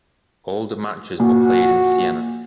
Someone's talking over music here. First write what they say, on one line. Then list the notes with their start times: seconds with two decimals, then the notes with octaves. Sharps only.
All the matches were played in Siena.
1.20 A#2 F#4